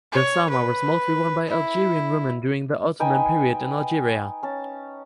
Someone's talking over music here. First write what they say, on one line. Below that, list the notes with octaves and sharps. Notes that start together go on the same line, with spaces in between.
The Sarma was mostly worn by Algerian women during the Ottoman period in Algeria.
C#5
B4
E4
D#4 B4 G5 G#5
C#4 A5